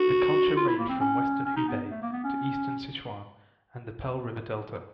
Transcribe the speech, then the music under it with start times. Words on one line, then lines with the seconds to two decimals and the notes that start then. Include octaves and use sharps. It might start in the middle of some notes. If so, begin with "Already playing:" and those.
The culture ranged from western Hubei to eastern Sichuan and the Pearl River Delta.
Already playing: F#4
0.57 F4
0.68 E4
0.79 A#3
0.89 C4
1.00 C#4
1.45 C#4
1.57 D#4
1.68 B3
1.91 A3
2.02 A#3
2.13 B3
2.24 C#4